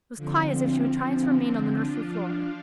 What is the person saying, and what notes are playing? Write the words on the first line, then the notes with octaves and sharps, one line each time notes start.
It was quite as if she were trying to remain on the nursery floor.
D3 F3 C4
F3 D4 F4